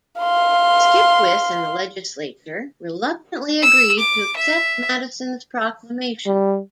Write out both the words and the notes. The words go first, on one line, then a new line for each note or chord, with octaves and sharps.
Skipwith and the legislature reluctantly agreed to accept Madison's proclamation.
F5 C6
E6
D6
E5
G3